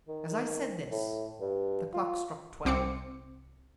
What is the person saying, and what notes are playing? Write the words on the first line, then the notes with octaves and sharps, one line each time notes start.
As I said this, the clock struck twelve.
D#3
A2
G2
F4
C2 C4 D6 C#7